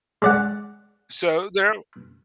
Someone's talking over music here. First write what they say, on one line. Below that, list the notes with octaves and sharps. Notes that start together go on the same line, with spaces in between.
So, there
G#3 D5 F#5